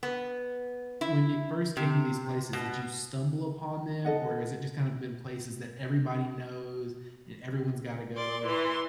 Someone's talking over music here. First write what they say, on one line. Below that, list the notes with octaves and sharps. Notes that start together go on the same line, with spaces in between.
when you first came to these places, did you stumble upon them, or is it just kind of been places that everybody knows, and everyone's gotta go?
B3
E4
C3
B2
A4 D#5 F#5
D5 C6
E3 C6